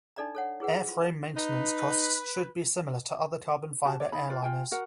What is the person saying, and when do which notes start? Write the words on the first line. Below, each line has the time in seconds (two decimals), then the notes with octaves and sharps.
Airframe maintenance costs should be similar to other carbon fiber airliners.
0.16 D4 D#4 A4 D5 E5 A#5
0.35 A4 C#5 F#5
0.60 E4 G#4 B4 F#5
0.88 F4 C6
1.36 D#4 B4
3.85 F#4 G4 A5
4.00 C#5 D5
4.12 D#4 B5
4.29 F4 B4 D5
4.42 F4 G5 G#5
4.71 F#4 A#4 F#5